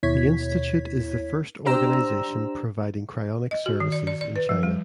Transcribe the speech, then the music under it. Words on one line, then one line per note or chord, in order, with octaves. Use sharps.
The institute is the first organization providing cryonics services in China.
D#2 B2 E4 C#5 G#6 B6
D4 G4 C5 A#5 E6
D#5
F#4
D#3
D5
D5
D5
B4
F3
G3